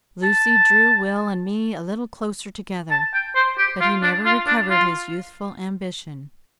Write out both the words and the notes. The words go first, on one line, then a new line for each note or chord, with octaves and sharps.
Lucy drew Will and me a little closer together, but he never recovered his youthful ambition.
A5
A5
G5
C5
G4
F4
D4
F4
D4
F4